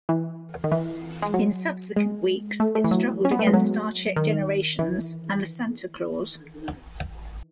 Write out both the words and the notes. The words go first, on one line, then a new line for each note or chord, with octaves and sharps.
In subsequent weeks it struggled against "Star Trek Generations" and "The Santa Clause".
E3
D#3
E3
G#3
F#3
G#3
A3
A3
E3
F#3
C#4
B3
A3
G#3
F#3
D#3
E3